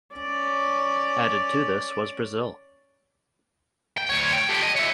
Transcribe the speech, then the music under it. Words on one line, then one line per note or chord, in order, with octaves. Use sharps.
Added to this was Brazil.
C#4 D5
G5
D2 C#5
G5
G4 A4
D#5
C#5 E5